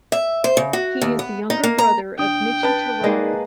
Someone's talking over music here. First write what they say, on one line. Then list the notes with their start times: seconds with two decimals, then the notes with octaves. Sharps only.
He is the younger brother of Michie Terada.
0.12 E5
0.44 C5
0.57 C#3
0.73 F#4
1.02 D#2
1.19 B3
1.50 D#4
1.63 A#3
1.78 A#5
2.19 D2 D4 G5 D#6
2.63 B4 A5
3.04 G#3 A#3 D#4 A#4 D5